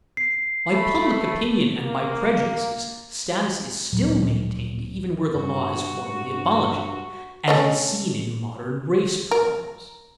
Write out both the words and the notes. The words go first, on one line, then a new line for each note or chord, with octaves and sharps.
By public opinion and by prejudices, status is still maintained even where the law has formally abolished it, as is seen in modern race problems.
C7
A3 B5
A#3
D1 A#1 A#2 F#3
G2 F#4
A3 C#4 D#5
A#4